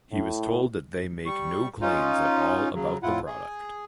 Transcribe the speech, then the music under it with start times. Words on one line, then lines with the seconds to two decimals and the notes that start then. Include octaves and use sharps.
He was told that they make no claims at all about the product.
0.12 A2
1.26 G3 C#6
1.81 C#4 D#4 F4
2.74 C#3 F#3
3.03 F2 A2 E4 F4 F#5
3.26 G#4